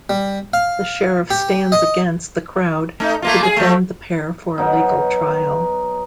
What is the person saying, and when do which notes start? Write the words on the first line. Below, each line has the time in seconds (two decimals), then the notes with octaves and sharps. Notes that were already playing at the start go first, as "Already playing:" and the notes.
The sheriff stands against the crowd to defend the pair for a legal trial.
0.10 G3
0.54 F5
1.31 G4
1.72 D#5
3.00 A3 D#4
3.22 A3 A#3 F4
3.43 G#4
3.57 F3 A3
4.58 B2 F#3 D#4